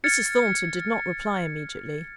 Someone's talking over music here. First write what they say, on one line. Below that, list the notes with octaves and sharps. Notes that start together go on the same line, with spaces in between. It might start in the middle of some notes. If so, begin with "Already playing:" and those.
Mrs. Thornton did not reply immediately.
F6 G#6 A6 C#7